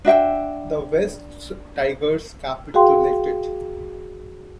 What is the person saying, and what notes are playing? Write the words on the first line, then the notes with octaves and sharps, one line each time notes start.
The Wests Tigers capitulated.
D4 F#4 E5 G5
F#4 G#4 F5 G5 C6